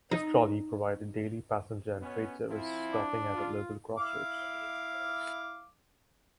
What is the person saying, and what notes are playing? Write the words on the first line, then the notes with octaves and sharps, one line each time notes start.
This trolley provided daily passenger and freight service, stopping at a local crossroads.
D#4
B2 B3 C#4
F3 C4 E4
D4
F4
E4 F5 D6